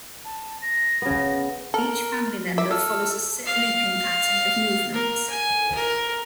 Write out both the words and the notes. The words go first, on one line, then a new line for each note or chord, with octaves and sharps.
Each family member follows a set looping pattern of movements.
A5
A#6
C#3 B3
A4 A#4
E5 D6
F4 A4 E6 F6
F5
A#4
G#5
A#4